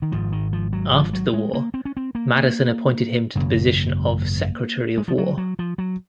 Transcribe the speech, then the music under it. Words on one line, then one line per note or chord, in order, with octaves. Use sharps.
After the war, Madison appointed him to the position of Secretary of War.
D#3
G#1 G#2 F3
D#3
F3
F#3
F3
F#3
G#3
A#3
C4
C#4
C4
A#3
G#1 F#2 C#3 A#3
G#3
F3
F#3
F#3
F3
F#3